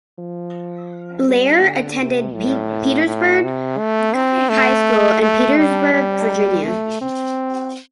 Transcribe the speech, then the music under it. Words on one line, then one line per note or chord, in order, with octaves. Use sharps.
Blair attended Petersburg High School in Petersburg, Virginia.
F3
G3
D3
C3
A2
A2
C3
A3
C4
A3
A3
G3
G3
A3
C4